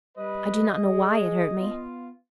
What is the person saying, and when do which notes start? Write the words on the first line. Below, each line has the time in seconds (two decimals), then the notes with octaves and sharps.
I do not know why it hurt me.
0.17 G3 B4 D#5
0.80 G#4
1.59 B3 F4